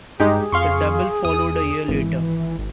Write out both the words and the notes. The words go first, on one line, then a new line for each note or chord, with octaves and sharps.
The double followed a year later.
G2 G#3 D#4 G4 G#4
F2 F5 C6 C#6
E2 D#6
G#1 E3
G#1